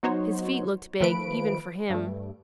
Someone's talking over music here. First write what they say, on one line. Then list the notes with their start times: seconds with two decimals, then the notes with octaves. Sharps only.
His feet looked big, even for him.
0.03 F#3 B3 D#4 F#4 C5 C#5
1.00 D#3 F3 A3 B4 B5 D7
1.90 G2 A3